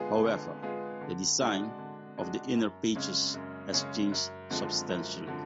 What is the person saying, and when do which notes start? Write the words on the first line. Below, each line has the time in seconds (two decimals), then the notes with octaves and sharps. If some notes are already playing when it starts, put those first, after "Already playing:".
However, the design of the inner pages has changed substantially.
Already playing: D3 G#3 B3 F4 G#4
0.24 D3
0.62 G#3 B3 F4 G#4
1.01 D3
1.40 G#3 D4 F#4
1.78 D3
2.17 G#3 D4 F#4
2.56 F#2
2.95 C#3 G#3 C#4
3.34 F#2
3.72 C#3 G#3 C#4
4.12 F#2
4.50 D3 F3 G#3
4.89 F#2
5.27 D3 F3